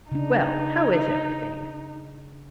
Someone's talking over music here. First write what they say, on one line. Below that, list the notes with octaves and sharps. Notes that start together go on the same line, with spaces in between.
'Well, how is everything?'
C#3 D4 D#4